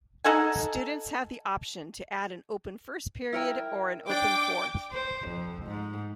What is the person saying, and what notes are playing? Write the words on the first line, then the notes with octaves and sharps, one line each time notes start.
Students have the option to add an open first period or an open fourth.
D#4 A4 F#5 G#5
E4 A#4 G5
D4 D5 G5 D6
C5
F2
G#2